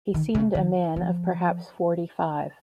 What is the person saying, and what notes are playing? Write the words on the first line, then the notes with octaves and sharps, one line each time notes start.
He seemed a man of perhaps forty-five.
D#3
C#3
D#3
F3